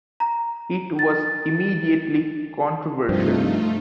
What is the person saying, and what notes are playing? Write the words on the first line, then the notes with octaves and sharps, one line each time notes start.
It was immediately controversial.
A#5
A6
G2 C3 F3 A3 C4 D#4 F4